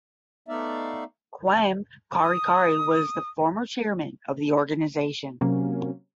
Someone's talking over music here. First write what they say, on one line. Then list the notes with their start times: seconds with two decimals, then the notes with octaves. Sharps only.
Kwame Karikari was the former chairman of the organization.
0.48 A3 B3 D#4 D5 E5 F5
2.23 D#6
5.41 C3 F#3 A#3 C#4